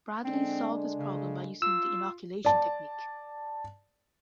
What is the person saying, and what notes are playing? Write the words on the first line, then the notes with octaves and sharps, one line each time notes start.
Bradley solved this problem by using the inoculation technique.
D3 G#3 C4 D4
C#3
F4 E6
D5 A5